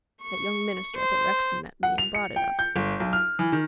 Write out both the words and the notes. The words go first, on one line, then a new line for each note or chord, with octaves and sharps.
That young minister up at Rexton met me and brought it up.
C#6
C5
F#5
F7
C#7
G5
G6
G1
B1
F6
E3
D#3